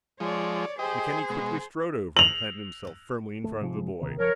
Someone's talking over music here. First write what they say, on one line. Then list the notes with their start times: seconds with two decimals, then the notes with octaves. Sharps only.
McKenny quickly strode over and planted himself firmly in front of the boy.
0.20 F3 G#3 C#5 D5
0.79 G4 G#4 C5 D#5
1.30 B2 G#3
2.17 F7 F#7
3.43 D1 A3
3.61 C3 F3 G#3
4.01 D#2 C3 D#3
4.19 F#1 F3 A#4 C#5